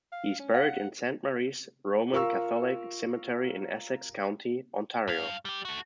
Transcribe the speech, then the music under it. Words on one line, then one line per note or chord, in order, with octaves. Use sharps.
He is buried in Saint Mary's Roman Catholic Cemetery in Essex County, Ontario.
F5
C#4
F5 F#5
F4 A#4 F5 C#6 E6
G2 F5
G3 G4
A3 F#4